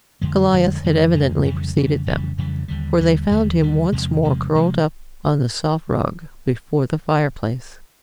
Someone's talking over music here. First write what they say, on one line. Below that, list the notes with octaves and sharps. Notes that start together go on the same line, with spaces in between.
Goliath had evidently preceded them, for they found him once more curled up on the soft rug before the fireplace.
F2 D3 F3 G#3
F2 D3 F3 G#3
F2 D3 F3 G#3
F2 D3 F3 G#3
F2 C#3 E3 G3
F2 C#3 E3 G3
F2 C#3 E3 G3
F2 C#3 E3 G3
D#2 D3 G3
D#2 D3 G3
D#2 D3 G3
D#2 D3 G3
E2 C3 F3 G#3
E2 C3 F3 G#3
C3 F3 G#3